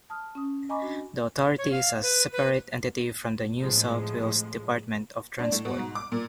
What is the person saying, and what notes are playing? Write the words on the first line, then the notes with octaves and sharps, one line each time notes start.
The authority is a separate entity from the New South Wales Department of Transport.
A5 D#6 F6
C#4 D#6
D#5 G#5 A#5 B5 C#6 D6
D4 F#4
C#5
F5
B4
B4
A2 C3 F3 G#3
D4
A2
B2
G#2
D6
A#2